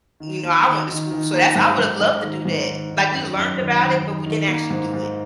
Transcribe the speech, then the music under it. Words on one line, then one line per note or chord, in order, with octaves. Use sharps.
you know, I went to school, so that's I would have loved to do that. Like, we learned about it, but we didn't actually do it.
D#3
A#3
D#3
D#3
D#3
A#3
G#2
G#2
G#2
D#3
G#2
D#3
D#3
F#2
F#2
D#3
D#3
D#3
D#3
A#3
G#2
G#2